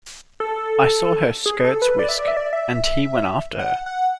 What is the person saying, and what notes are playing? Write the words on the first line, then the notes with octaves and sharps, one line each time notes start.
I saw her skirts whisk, and he went after her.
A4
G#4
A4
B4
D5
E5
D5
E5
D5
E5
F#5
F#5